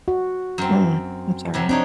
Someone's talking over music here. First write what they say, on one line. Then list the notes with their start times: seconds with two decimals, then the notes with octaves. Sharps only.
Mm. I'm sorry.
0.08 F#4
0.58 F#2 C4
1.54 F2 C3 F#3
1.69 C4 D4 D#4 C#5